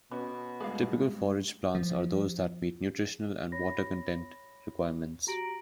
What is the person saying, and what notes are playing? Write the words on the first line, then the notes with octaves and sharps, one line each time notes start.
Typical forage plants are those that meet nutritional and water content requirements.
B2 B3 C#4
G2 G#3 A3 G#4 D5 F5
F3
C#5 B5 A#6
F#4 G4 A#5 A#6 D7 F#7